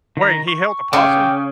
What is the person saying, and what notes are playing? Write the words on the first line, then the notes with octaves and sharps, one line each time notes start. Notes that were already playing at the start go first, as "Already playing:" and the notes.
Wait, he held a possum?
D#3 A#5
C#6
C#3 G5 D6